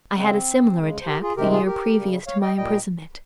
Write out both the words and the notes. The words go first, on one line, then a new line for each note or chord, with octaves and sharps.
I had a similar attack the year previous to my imprisonment.
C#3 G#3 C4
C#3 G#3
C5
G4 A#4
F4 G#4
C3 D#3 G#3 G4 A#4
F4 G#4
G4 A#4
C#3 G3
C#5 F5
D#5 G5
A#2 G3 D#5 G5